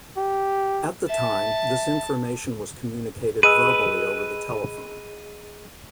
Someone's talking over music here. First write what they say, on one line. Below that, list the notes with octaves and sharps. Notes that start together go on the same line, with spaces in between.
At the time, this information was communicated verbally over the telephone.
G4
E5 A5
G#4 B4 D#5 E6 D#7